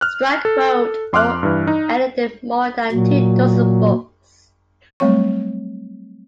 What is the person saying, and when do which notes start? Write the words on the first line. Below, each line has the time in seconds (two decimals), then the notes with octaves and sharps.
Stryk wrote or edited more than two dozen books.
0.01 F6 F#6
0.45 A4
1.13 F2 C6 D6 F6 F#6
1.43 G2 E3
1.67 D#4
2.92 A#2 F#3
5.00 F#3 G3 A3 C4 C#5 C#6